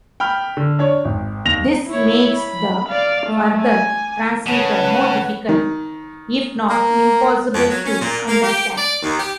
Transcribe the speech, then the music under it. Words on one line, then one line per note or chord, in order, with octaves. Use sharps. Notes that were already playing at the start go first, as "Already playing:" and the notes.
This makes the farther transmitter more difficult, if not impossible, to understand.
G5 B5 F6
D3
D4 C#5
G#1
D#2 A#6 F7
E4 C#5
B5
D5 F5
A3
G#5
C#3 B4 C#5 F#5 A5
D#3
A#3
F2
F#3
C#4
A#2
A#3
G4
D5
D#2
G4